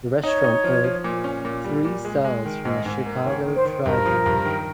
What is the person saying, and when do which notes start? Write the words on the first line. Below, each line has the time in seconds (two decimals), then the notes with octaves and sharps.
The restaurant earned three stars from the Chicago Tribune.
0.23 D#4 C#5
0.44 D#4
0.64 F3
0.84 F3
1.04 A#2
1.24 C#4
1.45 A#2
1.64 G3
1.85 A#2
2.05 G#3
2.24 G#3
2.45 D#3
2.65 G#2 D#5
2.86 G#2
3.06 A#3
3.25 D#3 C#5
3.45 D#3
3.56 C5
3.65 D#3
3.86 G2 A#4
4.06 F3
4.26 G2
4.46 D#3